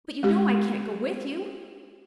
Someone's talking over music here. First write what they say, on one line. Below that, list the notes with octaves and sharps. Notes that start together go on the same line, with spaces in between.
But, you know I can't go with you.
G#3 G4